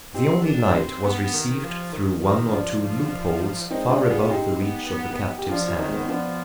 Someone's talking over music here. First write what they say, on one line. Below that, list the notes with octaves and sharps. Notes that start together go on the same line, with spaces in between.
The only light was received through one or two loop-holes far above the reach of the captive's hand.
C4 D#4 G4
D4
C4
B3
D#3
F3
D#3
D#3
F3 D4 F4
F3
G#3 C4 D#4
D4 F4
B3
F4 G#4
F4
C4 D#4 G4
B3
B3
G4
F3 D4 F4
F4
D#3 C4 D#4
G#3
B3
C4
F3 B3 D4